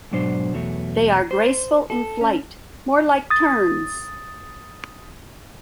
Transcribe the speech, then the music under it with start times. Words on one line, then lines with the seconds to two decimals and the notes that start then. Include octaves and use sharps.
They are graceful in flight, more like terns.
0.11 G#2 B2 F#3 D4 C5
0.53 E2 B2 F#3 A3
1.31 C5
1.90 A4
2.21 C#4
3.30 D#6 A6